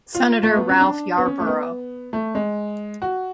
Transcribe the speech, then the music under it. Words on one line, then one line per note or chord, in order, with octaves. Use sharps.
Senator Ralph Yarborough.
F4
A3
B3
C#4
D4
B3
C#4
A3
B3
A3
G#3
F#4